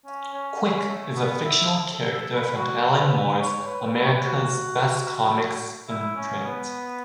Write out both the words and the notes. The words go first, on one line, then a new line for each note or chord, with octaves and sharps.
Quick is a fictional character from Alan Moore's America's Best Comics imprint.
C#4
C#4
C#4
A3
B3
E4
A4
A4
B4
F#4
B4
C#5
B4
B4
C#5
B4
F#4
E4
C#4
B3